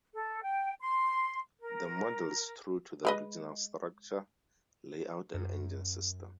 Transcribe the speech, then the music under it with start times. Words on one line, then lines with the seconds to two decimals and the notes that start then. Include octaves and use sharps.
The model is true to the original in structure, layout, and engine system.
0.13 A4
0.42 G5
0.80 C6
1.60 A#4
3.05 G#3 B4 D#5
5.34 F#2